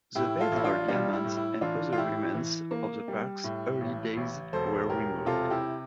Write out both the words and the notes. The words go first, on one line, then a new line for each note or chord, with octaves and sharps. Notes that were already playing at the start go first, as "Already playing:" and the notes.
The baseball diamond and other remnants of the park's early days were removed.
A2 E4 G4
F4 A4
A1 E4
D4 F4
G3 D4 F4
E4
A2
E4
E3 D4 F4
F4
A2 E4 G4
E3
A#3
G3
A2
A1
A1
E1 A4 C5
E1 G4 A#4
C3 F4 A4
E4 G4